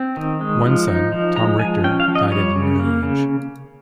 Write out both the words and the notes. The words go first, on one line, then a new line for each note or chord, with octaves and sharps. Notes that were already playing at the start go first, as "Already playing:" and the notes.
One son, Tom Richter, died at an early age.
Already playing: C4
D#3
G#3
F3
D#4
F3
G#3 A#5
F3 G#5
C#4 G5
F5
F3
D#5
G3 C#5
C#3
A#3
C#3